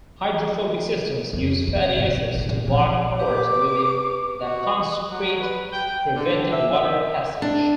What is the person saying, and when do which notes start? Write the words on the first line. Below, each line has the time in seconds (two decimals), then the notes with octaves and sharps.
Hydrophobic systems use fatty acids to block pores within the concrete, preventing water passage.
1.33 F2
1.68 B2
1.97 G#2
2.09 B2
2.35 A1
2.49 A#2
2.67 F3
3.19 G4 B4 D6
4.41 F#4
5.09 F#3
5.40 B4
5.72 G5
6.15 D3
6.51 E5
7.42 D4